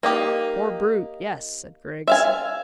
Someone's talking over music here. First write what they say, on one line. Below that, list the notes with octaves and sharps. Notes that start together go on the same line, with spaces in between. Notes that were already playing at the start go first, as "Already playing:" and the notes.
"Poor brute, yes," said Griggs.
A#3 D#4 G4
E5 F5 G#5